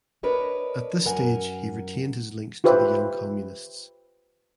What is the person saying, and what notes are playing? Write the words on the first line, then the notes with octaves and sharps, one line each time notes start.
At this stage he retained his links to the Young Communists.
D4 A#4 B4 C#5 D#5
F#2 A#4 F#5 G#5
F4 G4 B4 C5 E5